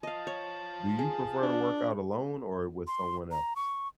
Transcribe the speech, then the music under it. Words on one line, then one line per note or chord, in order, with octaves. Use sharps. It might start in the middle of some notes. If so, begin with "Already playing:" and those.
do you prefer to work out alone or with someone else?
F3 D#5 F5 A5
C#5
G#4
D4
C6
A#5
C#6